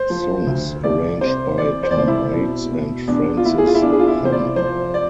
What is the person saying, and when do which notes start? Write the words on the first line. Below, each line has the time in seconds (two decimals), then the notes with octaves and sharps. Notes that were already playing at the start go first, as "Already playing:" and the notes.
Songs arranged by Tom Waits and Francis Thumm.
Already playing: C5
0.10 F3
0.47 D2
0.84 C2 D5
1.21 C3 C5
1.58 E3 D5
1.83 C5
1.91 D5
1.96 C2 C5
2.08 E4
2.33 B2
2.71 B2
3.07 E2 D4
3.37 F4
3.45 E2 E4
3.58 G#4
3.67 F4
3.75 E4
3.82 E2 D4
3.92 G#4
3.99 F4
4.07 E4
4.19 C3
4.25 C5
4.32 D5
4.56 F3 C5
4.94 D5